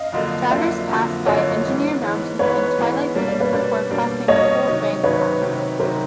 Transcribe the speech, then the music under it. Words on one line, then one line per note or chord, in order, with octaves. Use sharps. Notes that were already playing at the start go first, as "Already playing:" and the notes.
Drivers pass by Engineer Mountain and Twilight Peak before crossing Coal Bank Pass.
Already playing: D#5 F5
F2 D3 F#3 A#3 D4
F2 D3 F#3 A#3 D4 D5 E5
F2 D3 F#3 A#3 D4
F2 D3 F#3 A#3 D4 C#5 D#5
G#2 E3 G#3 B3
G#2 E3 G#3 B3
G#2 E3 G#3 B3 B4 C#5
G#2 E3 G#3 B3
B2 G3 A#3 D4 C#5
D5
B4 C#5
B2 G3 A#3 D4
B2 G3 A#3 D4
B2 G3 A#3 D4 C#5 D#5
C3 D#3 F#3
C3 D#3 F#3 B4 C#5
C3 D#3 F#3
C3 D#3 F#3 A#4 C5